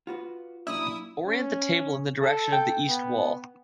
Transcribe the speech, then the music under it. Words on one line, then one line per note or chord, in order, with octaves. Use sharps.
Orient the table in the direction of the east wall.
F4 F#4 B4
F#2 A#2 D4 E4 D#6
C#4
A4
G5
B3